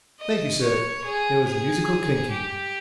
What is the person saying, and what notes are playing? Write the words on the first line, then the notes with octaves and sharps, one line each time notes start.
'Thank you, sir.' There was a musical clinking.
D#5
C#5
G#4
G#4
G4